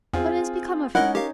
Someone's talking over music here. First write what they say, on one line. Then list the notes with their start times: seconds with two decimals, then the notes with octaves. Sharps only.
"What has become of him?"
0.13 E2 C4 F4 G#4
0.95 C#4 D#4 E4 A#4 D#5 F#5
1.15 G4 A#4 F5